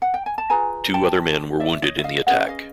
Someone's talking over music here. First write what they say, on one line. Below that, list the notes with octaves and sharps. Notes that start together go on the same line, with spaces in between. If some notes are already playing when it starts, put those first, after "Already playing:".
Two other men were wounded in the attack.
F#5
G5
G#5
A5
F4 G#4 B4 G#5 A#5
G5 A5
D5 E5
C#5 D#5
E5
D#5 F5
C#4 F4 G#4 B4 E5 F#5
D#5 F5